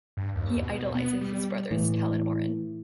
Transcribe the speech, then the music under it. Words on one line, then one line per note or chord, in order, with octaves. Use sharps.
He idolizes his brothers Tell and Orrin.
G2
D#2
B2
B3
G3
A2 E3